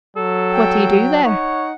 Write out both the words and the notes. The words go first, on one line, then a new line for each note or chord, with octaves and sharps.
"What do you do there?"
F#3 A4
G5
D#4 C#5 F#5